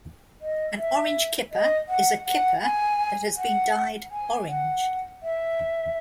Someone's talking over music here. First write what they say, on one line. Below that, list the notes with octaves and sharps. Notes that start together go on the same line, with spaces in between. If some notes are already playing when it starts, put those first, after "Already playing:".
An "orange kipper" is a kipper that has been dyed orange.
D#5
E5
D#5
F#5
F#5
G#5
F#5
G#5
F#5
E5